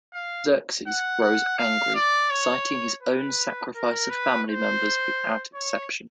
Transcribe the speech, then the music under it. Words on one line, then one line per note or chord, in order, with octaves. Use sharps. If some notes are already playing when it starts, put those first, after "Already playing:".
Xerxes grows angry, citing his own sacrifice of family members without exception.
F5
F#5
F#5
F5
D5
C#5
B4
A#4
B4
C5
C#5